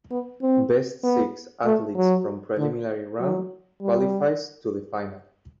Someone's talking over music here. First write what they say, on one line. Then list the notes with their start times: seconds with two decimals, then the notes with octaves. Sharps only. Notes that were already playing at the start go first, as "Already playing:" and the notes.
Best six athletes from preliminary round qualifies to the final.
0.11 B3
0.42 C4
1.03 B3
1.66 A3
1.96 F#3
2.58 D3
3.20 F#3
3.81 G3